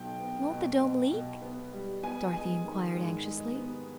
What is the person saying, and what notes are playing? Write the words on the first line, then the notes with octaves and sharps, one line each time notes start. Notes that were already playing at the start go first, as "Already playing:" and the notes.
"Won't the dome leak?" Dorothy inquired anxiously.
Already playing: B1 B2 G5
B3
B2
B2
B2
B3
G3
B3 G#5
G#3 G#5
D#3
G#2
G#3
B3